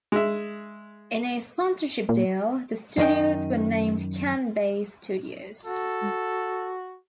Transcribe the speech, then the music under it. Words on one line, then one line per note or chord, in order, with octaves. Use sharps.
In a sponsorship deal, the studios were named "Can-Base Studios".
G#3 E5
A#2
F#2 D#3 D#4 F4 G5
F#4 A4